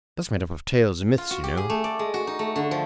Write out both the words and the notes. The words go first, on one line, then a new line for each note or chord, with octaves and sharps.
That's made up of tales, and myths, you know.
F4
F#4
G4
G#4
A3
D5
G#3
F#4
D#4
A3
D3
F3